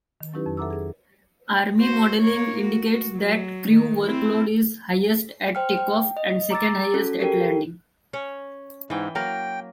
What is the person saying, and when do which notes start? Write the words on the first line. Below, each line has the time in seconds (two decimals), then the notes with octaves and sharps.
Army modelling indicates that crew workload is highest at takeoff, and second-highest at landing.
0.21 D#3
0.33 F#3 C#4 D#4 E4 G4 B4
0.46 F2
0.57 A4 E5 F#5 A#5 D6 E6
0.70 G#4
1.77 F#4 C5
2.19 A#3 C#5
2.62 F#4
3.16 F#3
3.70 D#3
4.04 C4 E4
5.55 C5 G5 F6
5.77 G5
6.17 D#5
6.50 A#5 D6 E6 A6
6.94 C#4 F#4 A4
7.20 G4 A4 A#4 G5
8.13 C#4 C#5
8.90 G#2 E3 G5
9.15 F#3 A#3 A#4 G5